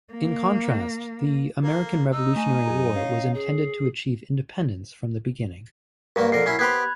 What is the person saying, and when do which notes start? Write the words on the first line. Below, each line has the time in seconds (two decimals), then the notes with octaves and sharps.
In contrast, the American Revolutionary War was intended to achieve independence from the beginning.
0.14 A#3
1.64 A#3 A4
2.12 D#4 E6
2.36 A3 G#5
2.66 F#2 G#4 A#5
2.95 C#4 F5
3.34 G#4
6.16 G2 F#3 A#3 A#4
6.32 F2 D3 A#4 C7
6.46 F#3 C#4 E4
6.59 B3 G4 C5 B5 F#6 G#6